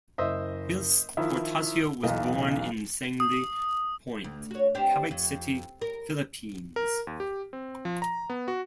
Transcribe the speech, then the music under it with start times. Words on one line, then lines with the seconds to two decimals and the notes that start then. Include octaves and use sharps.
Whilce Portacio was born in Sangley Point, Cavite City, Philippines.
0.18 F#1 C5 D#5 E5
1.17 D#3 F3 E4
2.03 B1 E2 D#5
3.20 D#6
4.24 D2
4.51 F#4 C#5
4.75 C4 D4 G4
5.11 F2
5.81 A#4
6.76 A#4
7.07 D#2
7.20 G4
7.53 C4
7.85 F3
8.02 A#5
8.30 B3
8.48 F#4